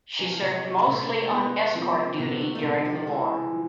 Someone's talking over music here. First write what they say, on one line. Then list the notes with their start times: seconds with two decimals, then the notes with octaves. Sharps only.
She served mostly on escort duty during the war.
0.19 E3
0.31 F3
0.42 C3 G#3
0.70 F3
0.78 G#3
0.87 C3 A3
1.23 A3
1.30 G#3 B3
1.75 F3 C4
2.18 C3 B3
2.41 A3
2.55 A3
2.63 C3 G#3
2.85 F3
3.07 E3 G#3
3.51 F3